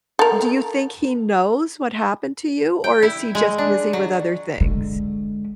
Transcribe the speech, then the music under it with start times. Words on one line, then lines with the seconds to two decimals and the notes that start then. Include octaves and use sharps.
do you think he knows what happened to you, or is he just busy with other things?
0.19 A4 A#4
2.84 G5
3.03 E4
3.35 G#3
3.58 D4
3.93 F#3
4.61 D3 G#3